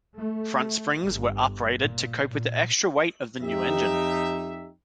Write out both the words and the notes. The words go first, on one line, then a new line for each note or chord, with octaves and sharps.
Front springs were uprated to cope with the extra weight of the new engine.
A3
G1
A#2
A#2
F2 D#4 G4 E5